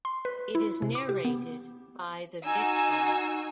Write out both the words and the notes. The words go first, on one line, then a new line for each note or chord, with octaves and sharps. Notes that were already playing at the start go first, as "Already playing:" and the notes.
It is narrated by the victim.
C6
B4
E4
C3
D6
G4
B3
D#4 F#4 G#5 E6